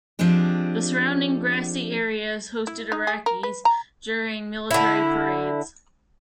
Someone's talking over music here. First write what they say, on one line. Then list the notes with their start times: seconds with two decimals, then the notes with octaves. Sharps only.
The surrounding grassy areas hosted Iraqis during military parades.
0.19 F3 G#3 C4 D4 G4
2.67 E4
2.92 D#4
3.07 G#4
3.26 A#4
3.43 B4
3.65 A#5
4.71 D3 E4